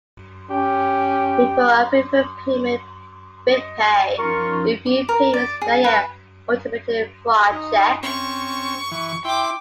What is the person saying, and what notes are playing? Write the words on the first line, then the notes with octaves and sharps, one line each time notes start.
Before approving payment, Bidpay reviewed payments via automated fraud checks.
C#4 G4
D#5
F3 C#4 D#4 F4 A#4 C#6
D6
A#4
D5
G#4
B4
D#4
C4 C#4 C#6
E3
E4 G5 C6 D6